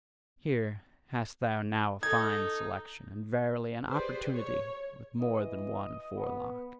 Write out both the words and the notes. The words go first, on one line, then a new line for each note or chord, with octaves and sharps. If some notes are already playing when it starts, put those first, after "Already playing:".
Here hast thou now a fine selection, and verily, an opportunity with more than one forelock!
D#4 A4 G#6
G4 G#4 B4 C5 D5
C#5
E3 D#5
B3